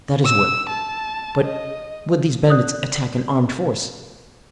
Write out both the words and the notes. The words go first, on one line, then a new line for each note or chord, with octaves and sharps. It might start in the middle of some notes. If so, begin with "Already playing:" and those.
"That is well: but would these bandits attack an armed force?"
E6
A5
D#5
D5 D#6 F#6